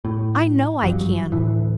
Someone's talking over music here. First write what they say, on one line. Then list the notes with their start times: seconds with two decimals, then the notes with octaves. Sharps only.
I know I can.
0.05 A2
0.82 G#1 G2 F3 F#3
1.32 D2 A2 E3